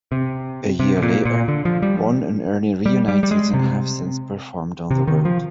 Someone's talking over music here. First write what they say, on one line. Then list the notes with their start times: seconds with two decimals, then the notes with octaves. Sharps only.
A year later, Ron and Ernie reunited and have since performed on the road.
0.12 C3
0.79 C3
0.97 C3
1.02 A#2
1.25 A#2
1.48 D3
1.65 F3
1.82 G3
2.86 G3
3.08 G3
3.23 G3
3.31 G#3
3.53 C3
4.91 C3
5.07 D#3
5.25 F3